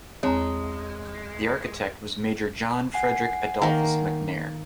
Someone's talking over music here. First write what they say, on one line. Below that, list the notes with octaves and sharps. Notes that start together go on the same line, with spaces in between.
The architect was Major John Frederick Adolphus McNair.
E2 G#3 C4 C#5 A5 A#5
F#5 G#5 C7
D#3 A#3